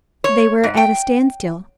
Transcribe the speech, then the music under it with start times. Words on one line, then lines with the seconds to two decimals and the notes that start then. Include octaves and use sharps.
They were at a standstill.
0.24 C#5
0.64 G#2
0.77 G5